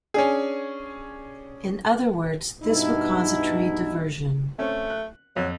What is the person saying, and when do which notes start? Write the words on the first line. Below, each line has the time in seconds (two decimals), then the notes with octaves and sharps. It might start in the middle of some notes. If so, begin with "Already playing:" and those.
In other words, this would cause a trade diversion.
0.14 C#4 D4 G#4
2.63 G2 B2 D#4 E4
4.59 A3 C4 C#4
4.90 F#6
5.36 F2 F#3